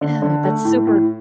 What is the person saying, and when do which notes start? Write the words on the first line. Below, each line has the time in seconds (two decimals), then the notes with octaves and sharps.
Yeah, that's super
0.01 D3
0.22 D3
0.44 A3
0.65 A2
0.87 A2